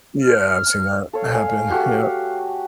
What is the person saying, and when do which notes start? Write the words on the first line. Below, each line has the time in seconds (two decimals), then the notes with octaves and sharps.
Yeah, I've seen that happen. Yeah.
0.23 F6
1.13 A4 C#5 F5
1.34 G#5
1.70 A3 F#4 G4